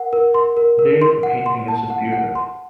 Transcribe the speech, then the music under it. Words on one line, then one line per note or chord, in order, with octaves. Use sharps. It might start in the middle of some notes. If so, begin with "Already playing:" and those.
The date of the painting is disputed.
Already playing: A#4 F#5
A#4
C6
A#4
A#4
C6
F#5
C6
A5
F#5
F#5
C6